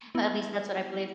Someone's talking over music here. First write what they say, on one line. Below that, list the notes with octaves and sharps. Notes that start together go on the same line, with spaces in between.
At least, that's what I believe.
B3 E4